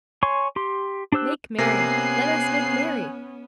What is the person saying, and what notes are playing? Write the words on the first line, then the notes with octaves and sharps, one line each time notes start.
Make merry, let us make merry.
C#5 G#5 C6 C#6
G4 C6
D4 G4 C5 E6 F#6
C3 A#3 B3 C#4 G#5 F#6 A#6 C7